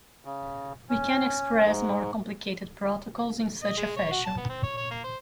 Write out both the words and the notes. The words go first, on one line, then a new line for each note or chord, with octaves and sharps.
We can express more complicated protocols in such a fashion.
C#3
C#4
G#2
D#5
G#3
C#5
F#4
A5
B3
C4
C#5
C#5
A#3
C5